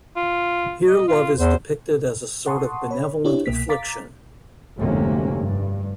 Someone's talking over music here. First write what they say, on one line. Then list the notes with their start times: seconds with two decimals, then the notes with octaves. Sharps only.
Here love is depicted as a sort of benevolent affliction.
0.16 F4
0.87 D#5
1.08 F4
1.39 E2 C5
2.46 F#5 A5 C6 C#6 D#6
2.91 C#5 B5
3.24 D4 E4 G4 C#5
3.46 C2 B2 A#3 B6
3.69 F5 A#5 D6 A6 B6
4.77 F1 D2 G#2 C3 A#3 C#4
5.37 G2